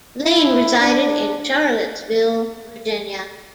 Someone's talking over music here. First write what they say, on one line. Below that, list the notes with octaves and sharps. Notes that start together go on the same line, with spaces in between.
Lane resided in Charlottesville, Virginia.
E4
D4